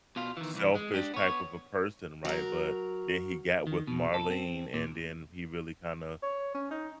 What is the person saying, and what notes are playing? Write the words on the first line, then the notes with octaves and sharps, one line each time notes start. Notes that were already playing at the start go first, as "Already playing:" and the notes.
selfish type of a person, right? But then he got with Marlene, and then he really kinda,
B2 F4
D#3 E3
C2 E3
G#3
D4 G4
B3 C#5
F#3 A#4
D#3
B2
A4
C4
A#2
C#5
C#4
D#4